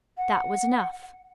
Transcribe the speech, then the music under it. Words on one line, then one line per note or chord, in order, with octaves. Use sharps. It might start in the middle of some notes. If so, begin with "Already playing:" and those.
That was enough.
F#5